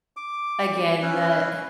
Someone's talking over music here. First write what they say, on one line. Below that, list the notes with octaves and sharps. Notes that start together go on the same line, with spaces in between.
again, the
D6
C#4 E4 B4